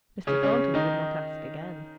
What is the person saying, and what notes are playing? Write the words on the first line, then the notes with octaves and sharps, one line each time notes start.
Mr. Thornton would not ask again.
C#3 C#4
C#3 C#4
D#3 D#4